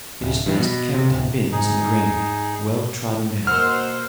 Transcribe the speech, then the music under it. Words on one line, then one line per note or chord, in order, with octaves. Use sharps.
It is best kept in bins in a granary, well trodden down.
D1
G2
B2
C3
D1
G#2 D#4 G#4
B2 A#3 C5 F#5 E6 F6